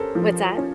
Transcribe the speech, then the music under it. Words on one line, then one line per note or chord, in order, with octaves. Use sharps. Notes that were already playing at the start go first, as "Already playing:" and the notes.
what's that?
Already playing: C#4 G4 A4 A#4 C5
F3
C#4